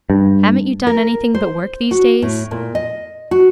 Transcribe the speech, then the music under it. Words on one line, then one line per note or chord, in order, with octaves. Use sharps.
'Haven't you done anything but work these days?'
G2
A#4
C5
F#4
A2
A#2
D#5
F#4